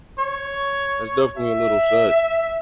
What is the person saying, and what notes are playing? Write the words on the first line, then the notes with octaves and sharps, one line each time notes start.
That's definitely a little sad.
C#5
E5